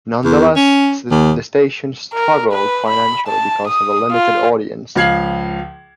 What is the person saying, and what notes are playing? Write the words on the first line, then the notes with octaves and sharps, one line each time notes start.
Nonetheless, the station struggled financially because of a limited audience.
E2
C#4
D#2
A#4
B4
B5
A5
D#6
F4
C#2 F3 F5 G#6 C7 F#7